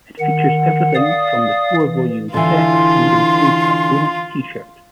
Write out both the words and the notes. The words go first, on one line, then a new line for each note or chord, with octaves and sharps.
It features everything from the four-volume set and includes a bonus T-shirt.
D#3 F#5
D5 F5 D#6
E3
D3 E3 F4 C6